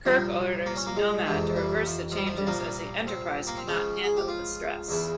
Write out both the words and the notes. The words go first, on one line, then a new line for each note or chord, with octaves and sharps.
Kirk orders Nomad to reverse the changes, as the "Enterprise" cannot handle the stress.
C2 A#2 F3
A#3
C#4
A#3
G#3
F2 C3 E3
G3
F3
F3
G3
F3
G3
C2 A#2 F3 A#3
C4
A#3
C4
C#2 C#3 F3 C#4
G#4
G4
F4
E2 C#3 E3